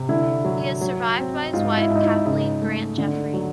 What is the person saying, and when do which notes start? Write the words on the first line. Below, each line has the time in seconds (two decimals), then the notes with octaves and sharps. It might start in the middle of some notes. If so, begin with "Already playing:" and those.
He is survived by his wife, Kathleen Grant Jeffrey.
Already playing: C3
0.09 D3 E4
0.45 F#3
0.81 F#3
1.18 C4
1.53 G#2 F4
1.77 E4
1.90 G#2
1.96 D#4
2.02 E4
2.26 C#3 D#4
2.62 A3
2.98 D3
3.34 F#3